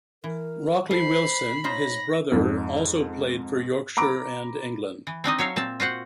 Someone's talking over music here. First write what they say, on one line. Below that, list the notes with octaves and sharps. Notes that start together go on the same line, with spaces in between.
Rockley Wilson, his brother, also played for Yorkshire and England.
E3 A#4
A4 C5 B5 C7
D#4 F4 C5 C#5 A#6
F2 G#2
A#5 B5 D6 D7
E3
C4 D4 D#4 D#5
F#3 C#5 E5 F5
A#2 C4 A5
F4 F#4 C5 F#5